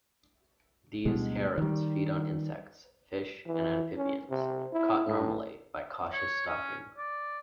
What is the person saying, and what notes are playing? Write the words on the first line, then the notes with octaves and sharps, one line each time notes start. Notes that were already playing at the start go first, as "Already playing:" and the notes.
These herons feed on insects, fish and amphibians, caught normally by cautious stalking.
D2 B2 G3 G#3
D#3 G3
E3
C#4
C3
E4
A2
C#5
C#4
D5